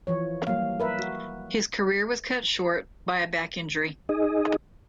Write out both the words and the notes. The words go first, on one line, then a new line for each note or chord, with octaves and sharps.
His career was cut short by a back injury.
E3 F3 C#5
F#3 G3 A#3 F5
A#4 B4 E5
F#4
D#4 G#4 D#5